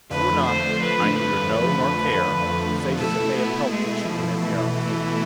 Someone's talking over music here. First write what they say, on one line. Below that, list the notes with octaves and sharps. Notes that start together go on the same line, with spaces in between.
True or not, I neither know nor care, save as it may have helped to cheapen it, ere I came.
F2 D3 F3 A3 B4
C5
B4
B4
B4
B2 A3 E4 A4
B3
G#3
F3
E3